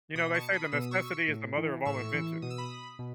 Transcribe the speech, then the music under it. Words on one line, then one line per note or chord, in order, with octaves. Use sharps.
You know, they say that necessity is the mother of all invention.
B2 B5 D#6
A5 C#6
B5 D#6
B2 E6
D#6
C#6 E6
A2
E3
A2 C#6 E6
E3
B2 D#6
E6
B5 D#6
B2